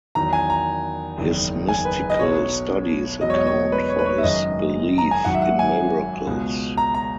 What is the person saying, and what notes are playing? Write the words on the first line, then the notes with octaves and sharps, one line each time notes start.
His mystical studies account for his belief in miracles.
E2 D#3 F#3 A#5
G#5
A#5
F#1 E2 D#3
G#5
B4
D#5
B1 B2 F#3 C#5
E1 E2 B2 F#3 D#5
C#5
D#5
C#5
B4
C#5
B4
C#5
E5
F#1 F#2 D#3 G#3 D#5
A#5
G#5
G#1 F#2 D#3 F#3 F#5
E5
F#5
G#5
C#2 B2 G#3
A#5
A#5